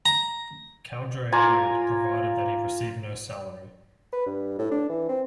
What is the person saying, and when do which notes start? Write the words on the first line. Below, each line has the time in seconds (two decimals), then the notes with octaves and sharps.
Cowdray agreed, provided that he receive no salary.
0.06 A#5
1.32 F4 G#5 A#5 D6
4.13 B4
4.26 G2
4.59 A2
4.71 D4
4.89 E3
5.09 C4